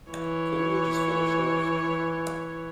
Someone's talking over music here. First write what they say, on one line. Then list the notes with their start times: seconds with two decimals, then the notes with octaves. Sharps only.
Couldn't we just finish those?
0.11 E3 C#5